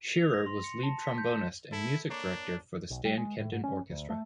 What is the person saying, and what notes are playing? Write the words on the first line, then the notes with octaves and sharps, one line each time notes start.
Shearer was lead trombonist and music director for the Stan Kenton Orchestra.
F7
A#6
C6
C#7
A5
B6
G6
E7
E4 A4
A#3 D4 C#5
B1
G3
G#3
A2
G#2
C#4
D2
A3